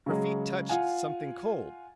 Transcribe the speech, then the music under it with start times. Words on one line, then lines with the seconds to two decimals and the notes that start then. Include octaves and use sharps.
Her feet touched something cold!
0.06 C#3 F#3 G#3
0.69 F4 F5 F#5 G#5